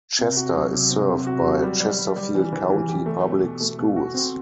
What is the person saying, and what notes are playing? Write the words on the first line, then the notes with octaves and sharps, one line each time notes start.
Chester is served by Chesterfield County Public Schools.
C3
F#4
F#3
C3
C4
C3
F#4
F#3
G3
G3
G3
G3
E3
E3
E3
G4
A3
B2
B2
A3
B2
F#4
C4